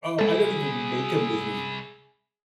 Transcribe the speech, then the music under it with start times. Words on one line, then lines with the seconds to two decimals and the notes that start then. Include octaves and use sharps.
Oh, I don't even make 'em with meat.
0.19 C2 G#3 E4 G#4 A4